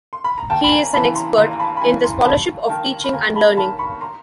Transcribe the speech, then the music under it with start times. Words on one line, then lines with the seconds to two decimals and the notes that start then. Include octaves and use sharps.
He is an expert in the Scholarship of Teaching and Learning.
0.13 C6
0.24 B5
0.38 A#5
0.50 D#2 G5 A5
0.64 B5
0.72 G#5 A#5
0.85 A#5
0.94 C#3 A5 B5
0.98 E3
1.15 A#5 C6
1.37 D#2 A#5 C6
1.51 A#5
1.60 A5 B5
1.77 B5
1.82 C#3 E3 G#5 A#5
2.04 A#5 C6
2.25 D#2 A5 B5
2.69 D#3 G5 A5
3.04 B5
3.13 D#2 G#5 A#5
3.35 A5 B5
3.57 D#3 A5 B5
3.79 B5 C#6
4.01 A#5 C6